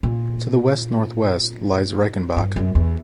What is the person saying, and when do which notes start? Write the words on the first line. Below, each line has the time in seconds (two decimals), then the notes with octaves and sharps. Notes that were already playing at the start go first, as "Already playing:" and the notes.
To the west-northwest lies Reichenbach.
0.03 A#2
2.36 G2
2.56 F#2
2.75 E2